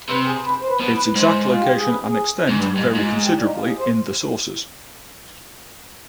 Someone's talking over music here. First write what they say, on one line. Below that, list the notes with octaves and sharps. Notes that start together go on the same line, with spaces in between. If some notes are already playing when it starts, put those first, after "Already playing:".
Its exact location and extent vary considerably in the sources.
C3 B4
G#4
B4
C5
B4
B2 B4
B4
B4
G#2 C5
F4
G4
G#4
B4
G#4
G#2
G2 B4
G4
G#2
F4
G#2 D#4
F4
G#4
G4
D4
D#4
F4
G4
G#4
C5